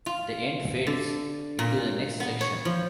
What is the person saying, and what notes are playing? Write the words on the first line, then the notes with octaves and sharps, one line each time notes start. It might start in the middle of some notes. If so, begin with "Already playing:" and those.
The end fades into the next section.
F4
D3
A#2
B3
C#5
F3